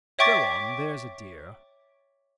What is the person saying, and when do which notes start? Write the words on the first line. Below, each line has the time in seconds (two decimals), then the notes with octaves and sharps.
Go on, there's a dear.
0.19 C#5 E5 G5 C#6 D6 A6